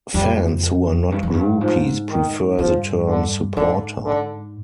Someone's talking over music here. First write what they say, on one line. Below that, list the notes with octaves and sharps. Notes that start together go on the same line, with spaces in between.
Fans who are not groupies prefer the term "supporter".
F2 G3
G2
F2
G2
G#2 F3
D#3
G2 F3
D3
G#2 D3
D3